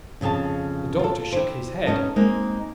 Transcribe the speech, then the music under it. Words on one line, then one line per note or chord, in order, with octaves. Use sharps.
The doctor shook his head.
F2 C#3 G#4 F5 A5
F4 A4
E4 G4 C5
B3 C#4 D#4 A4
G#3 A#3 C4 D#4